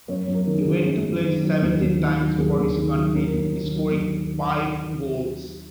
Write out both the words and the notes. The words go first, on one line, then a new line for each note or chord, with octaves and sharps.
He went on to play seventeen times for his country, scoring five goals.
F#2 C#5
F#2
A#4
D#3
G#4
F#3
F#2
F#2
D#3
F#3
D#2
D#2
D#3
F#3
D#2 G#4
D#2
D#3
F#3
D#2 A#4
D#2
D#3
F#3
D#2